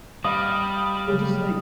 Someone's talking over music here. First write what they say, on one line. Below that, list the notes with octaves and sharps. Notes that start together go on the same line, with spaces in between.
Well, just like
G3 D#5 F5 B5
C#3 F#3